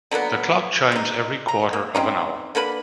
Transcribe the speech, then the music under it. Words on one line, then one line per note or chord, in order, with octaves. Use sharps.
The clock chimes every quarter of an hour.
D3 F#3 A#3 B3
G#3 D#4
A#5
A#3
C4 C#4 D#4
D3 A#3 B4 B5